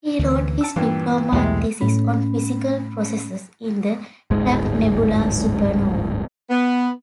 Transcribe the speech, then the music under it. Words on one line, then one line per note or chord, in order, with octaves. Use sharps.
He wrote his diploma thesis on physical processes in the Crab Nebula Supernova.
D2 E3
A5 E6
G2 A#2 E3
B1 E2 A2 C3 G#3 A3
A2 A3 C#4 B5
D1 G1 G#2 G#3
B3